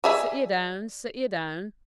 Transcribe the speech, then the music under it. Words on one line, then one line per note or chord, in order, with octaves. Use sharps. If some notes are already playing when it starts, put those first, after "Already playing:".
'Sit ye down, sit ye down.
G3 G#4 E5